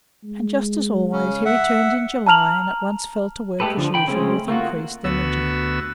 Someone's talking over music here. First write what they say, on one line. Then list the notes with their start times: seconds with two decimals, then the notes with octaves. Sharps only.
And just as always he returned in July and at once fell to work as usual with increased energy.
0.24 G#3
1.13 C#3 C#4
1.45 E5 F#5
2.26 A5 A#5 F6 F7 F#7
3.60 G#3 A3 G4 A4 B4
3.77 D3 F3
3.94 G5 B5
4.08 C#3 G#3 A3 C4 C#4
4.48 A3 A#3 F4 F#4
5.04 D2 B3 F#4 E6